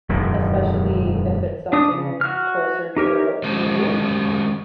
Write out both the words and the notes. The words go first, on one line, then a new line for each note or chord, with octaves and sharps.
especially if it's something closer to me
E1 F#2 A2 D#3
D4 D5 D#6
C#3
F#4 F6
D#4 G4 A#4 C#5
D#3 F#3 G#3 C#4 G4 C5